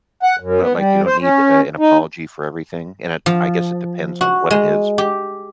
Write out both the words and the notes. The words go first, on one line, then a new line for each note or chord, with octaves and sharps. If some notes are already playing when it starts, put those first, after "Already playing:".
Li like, you don't need, eh, an apology for everything? And it I guess it depends on what it is.
F#5
F#2
B3
G3
C5
C#4
D#4
F3
F#4
G#3
G4